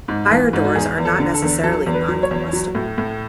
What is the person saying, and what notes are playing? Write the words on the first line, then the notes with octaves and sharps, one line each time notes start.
Fire doors are not necessarily noncombustible.
G#2
E3
G#2
F#4
E2 G#4
E2
A4
D3
A4
E2
F#3 A4
E2
B4
F#3
C#5
E2
F#3
A2
A2